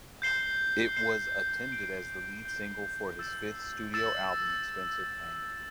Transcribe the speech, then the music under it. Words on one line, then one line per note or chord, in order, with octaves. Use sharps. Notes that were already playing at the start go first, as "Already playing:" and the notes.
It was attended as the lead single for his fifth studio album Expensive Pain.
G6 C7 G7
G6 C7 G7
G6 D7 G7
G6 D7 G7
E6 A6 E7
E6 A6 E7